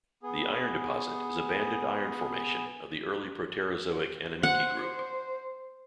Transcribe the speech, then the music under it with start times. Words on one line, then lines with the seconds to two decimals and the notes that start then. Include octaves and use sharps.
The iron deposit is a banded iron formation of the Early Proterozoic Animikie Group.
0.23 B3 G#4
4.43 C5 F#5